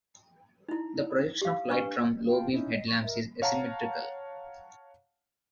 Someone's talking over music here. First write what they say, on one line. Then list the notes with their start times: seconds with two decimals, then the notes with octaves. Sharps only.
The projection of light from low-beam headlamps is asymmetrical.
0.69 D#4 E4
1.42 G4 F5
1.69 D4 B4 C#6
2.26 F4 G4 F5 G5
2.51 C#4 D#4 E4
2.73 D#5
2.87 D5 C#6
3.02 A#4 D#5 E5
3.42 C#5 F5 F#5 A5 A#5